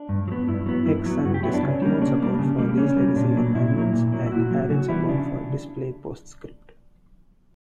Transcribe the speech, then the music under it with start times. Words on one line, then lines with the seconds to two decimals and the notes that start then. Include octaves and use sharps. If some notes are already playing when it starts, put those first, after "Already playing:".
Xsun discontinued support for these legacy environments, and added support for Display PostScript.
Already playing: D4
0.09 G2
0.28 F#3
0.32 B3
0.47 G2 E4
0.66 F#3 B3
0.85 G2 E4
1.05 F#3 B3
1.25 G2 F#4
1.34 G4
1.43 F#3 B3 E4
1.54 D4
1.63 C#3 C#4
1.82 G3 A#3
2.01 C#3 D4
2.20 G3 A#3
2.39 C#3
2.59 G3 A#3
2.78 C#3 C#4
2.97 G3 A#3
3.16 A#2 D4
3.36 F#3 A#3
3.55 A#2 E4
3.73 F#3 A#3
3.93 A#2
4.12 F#3 A#3
4.26 E4
4.32 A#2 F#4
4.51 F#3 A#3
4.70 C#3 F#4
4.89 E3 G3 B3 E4
5.09 C#3 D4